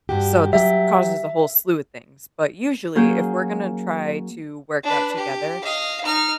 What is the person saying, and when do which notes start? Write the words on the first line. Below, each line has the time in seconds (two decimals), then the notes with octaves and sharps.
so, this causes a whole slew of things, but usually, if we're gonna try to work out together,
0.09 G2 F#4 G4
0.53 F#3 G4 E5
2.95 F#3 A#3 C#4 G#4 G6
4.83 D4 B4
5.17 G4
5.64 D#5 F5
6.04 D#4 F6